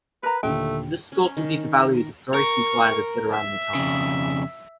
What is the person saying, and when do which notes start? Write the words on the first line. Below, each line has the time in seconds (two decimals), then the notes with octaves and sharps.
This score can be devalued if very few gliders get around the task.
0.23 A#4 B4 A#5
0.43 D#2 A#2 D3 A3 G5
1.12 C#4
1.37 D#3
1.81 A#4
1.97 A#4
2.34 A#4 C#6
3.33 E5
3.75 F2 C#3